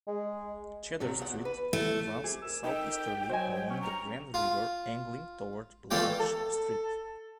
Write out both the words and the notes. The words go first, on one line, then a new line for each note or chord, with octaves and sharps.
Cedar Street runs southeasterly along the Grand River angling toward Larch Street.
G#3
G2 C3 F#3
E2 F#5
B4
A3 E4
C3 G4 G#4
F2 A#4 E6
D#4 G5
F#3 C5 D#5 G#5
C#4
G2 A#5 C#6
F4
E3 A3 F4 D5 G5
A4